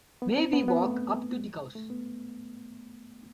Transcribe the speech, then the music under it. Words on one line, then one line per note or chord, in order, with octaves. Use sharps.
May we walk up to the House?
B3
C4
B3
B3
A3
G#3
A3
B3